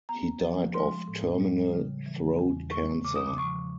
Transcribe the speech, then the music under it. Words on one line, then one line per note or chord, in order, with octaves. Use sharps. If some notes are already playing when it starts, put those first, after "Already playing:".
He died of terminal throat cancer.
B3 A#5
F3
G#3 C6
A2
G3
C#3
E3
E2
G#3 C#6
C#3 D6
D#6
D6
F3 C#6